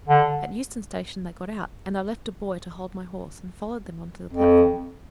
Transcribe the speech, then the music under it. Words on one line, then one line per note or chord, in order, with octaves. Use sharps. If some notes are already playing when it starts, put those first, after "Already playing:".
At Euston Station they got out, and I left a boy to hold my horse, and followed them on to the platform.
D3
F2